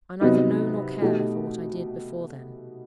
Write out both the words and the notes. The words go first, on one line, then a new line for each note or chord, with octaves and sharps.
I neither know nor care for what I did before then.
C3 F#3 B3 D#4
B2 A3 D#4 G4